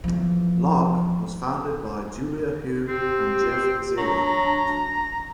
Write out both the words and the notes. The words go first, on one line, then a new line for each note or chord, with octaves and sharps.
Lark was founded by Julia Hu and Jeff Zira.
E2 F3
C4 G4
F#3 D4 A#5